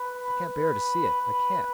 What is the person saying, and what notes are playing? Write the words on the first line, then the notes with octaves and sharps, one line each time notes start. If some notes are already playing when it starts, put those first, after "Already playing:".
I can't bear to see it!--I can't!
Already playing: B4
B4